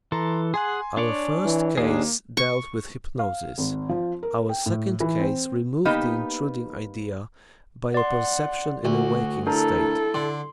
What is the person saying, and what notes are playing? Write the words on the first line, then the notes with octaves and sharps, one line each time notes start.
Our first case dealt with hypnosis, our second case removed the intruding idea by a perception in a waking state.
E3 A4 A#5 C6
G#4 F#5 G#5 C6
D4 C#5 D5
E3
D#2 A#3 D4 G#4
C#6
F5
G#1
F3
A#4
G5
A2
E3
C4
A#3 B3 D#4 G4 B4
D5 F#5 C6
D2 F#4
D4 E4 A4 A#4 A#5
D3 C6